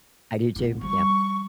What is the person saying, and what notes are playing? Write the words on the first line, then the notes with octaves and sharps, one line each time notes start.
I do too, yeah.
B3 E4
F3 G3 C#6